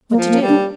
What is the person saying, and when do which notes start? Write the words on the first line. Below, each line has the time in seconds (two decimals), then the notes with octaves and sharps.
"What to do?"
0.10 A#3
0.16 F3
0.30 A#3
0.42 G3
0.49 D4